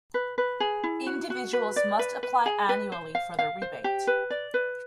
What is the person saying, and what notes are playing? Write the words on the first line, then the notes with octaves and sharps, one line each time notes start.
Individuals must apply annually for the rebate.
B4
B4
G#4
E4
F#4
F#4
B4
D5
B4
B4
G#4
B4
C5
F5
F5
C5
G4
B4
D5
B4